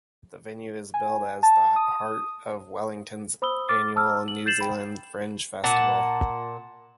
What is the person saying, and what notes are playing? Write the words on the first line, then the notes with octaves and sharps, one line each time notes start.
The venue is billed as the 'heart' of Wellington's annual New Zealand Fringe Festival.
G#5
A5
D#6
C5 B5 D#6 E6 G7
D6 F6 A6
A5 E6 F6
F#7
G6 A6 C7 E7 F#7
G5 B5
A#2 F#5 A5